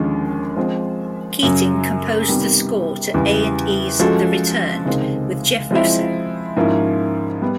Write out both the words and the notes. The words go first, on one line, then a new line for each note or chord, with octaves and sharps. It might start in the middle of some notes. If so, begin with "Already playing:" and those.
Keating composed the score to A and E's "The Returned" with Jeff Russo.
Already playing: D#2 D3 F3 G#3 C#4
F3 G#3 C4
F#2 C#3 F#3
C3 D#3 G3 B3
E2 C#3 E3 G3
F3 G#3 C#4 F#4 A4
C#2 C3 D#3 G#3 C4
F3 G#3 C4 E4
G#2 F3 A#3 C#4 E4
G3 B3